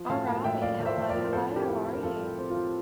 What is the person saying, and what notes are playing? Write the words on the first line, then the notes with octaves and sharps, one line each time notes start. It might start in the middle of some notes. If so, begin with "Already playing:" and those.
Alright, hello, hello, how are you?
Already playing: F3
A2 F5 A5
A#3 F5 A5
A2 E5 G5
F3 D5 F5
A2
C5 E5
A2
A#4 D5
F3
A#4
C4 A4 C5
E4
G4 A#4
E4
E4
A#4
F3 F4 A4
E4
C4
F4
F3